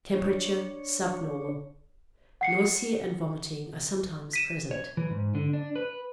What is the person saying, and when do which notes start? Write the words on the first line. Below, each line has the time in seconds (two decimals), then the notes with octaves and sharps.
Temperature subnormal. Nausea and vomiting are sometimes present.
0.15 D4 C#5
2.41 F#5 C7 C#7
4.33 B6 D#7 E7
4.71 C#5
4.97 E3
5.10 G#2
5.35 D3
5.53 D4
5.76 B4